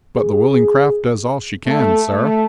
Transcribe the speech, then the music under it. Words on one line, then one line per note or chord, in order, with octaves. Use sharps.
"But the willing craft does all she can, sir."
G#4
A3
A3